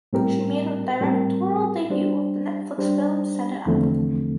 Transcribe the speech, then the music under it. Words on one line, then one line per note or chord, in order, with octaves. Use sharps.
She made her directorial debut with the Netflix film "Set It Up".
A2 G3 C4 G4 A#4
A2 G3 C4 G4 A#4
G3 D4 G4 C5
G3 D4 G4 C5
E2 D3 F3 A3 C4